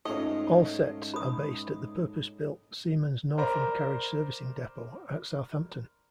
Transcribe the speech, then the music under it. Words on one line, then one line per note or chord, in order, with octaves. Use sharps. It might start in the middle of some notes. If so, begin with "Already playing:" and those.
All sets are based at the purpose-built Siemens Northam Carriage Servicing Depot at Southampton.
G#2 A3 C#4 D#4 F4 D#5 D6
B5 D#6
A#4 C5 D5 A#5 B5